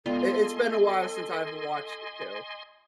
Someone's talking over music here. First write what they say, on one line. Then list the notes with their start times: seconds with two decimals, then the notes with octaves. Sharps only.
I It's been a while since I've watched it too.
0.06 G#3 B3 F4 A4 D5 D#5 G#5 C6